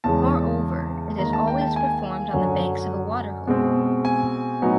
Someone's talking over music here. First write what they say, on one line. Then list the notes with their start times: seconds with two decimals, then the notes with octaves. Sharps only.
Moreover, it is always performed on the banks of a water-hole.
0.04 E2 C#3 E3 G#3 A5
1.18 D#2 D#3 G#3 A#5
1.33 A5
1.47 G5
1.61 A5
1.76 G#5
2.33 F#2 D3 F#3
3.47 B2 G#3 C4
4.05 G#5
4.62 A2 F#3 B3 D#4